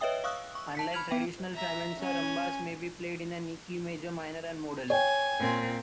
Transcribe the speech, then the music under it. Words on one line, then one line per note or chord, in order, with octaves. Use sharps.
Unlike traditional flamenco, rumbas may be played in any key, major, minor and modal.
B4 C#5 D#5 E5 G5 D#6
F5 C#6 D#6 E6 F#6
C#6
A5 B6 C#7
B5 F6 G#6 F7 F#7
B3 G5
E5 A#5
C#4 G#5
C#5 G5 G#5
A#2 C4